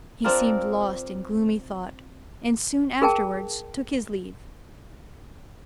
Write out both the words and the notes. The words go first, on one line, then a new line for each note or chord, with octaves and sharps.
He seemed lost in gloomy thought, and soon afterwards took his leave.
C4 D4 F4 A#4
G#4 A#4 G5 A5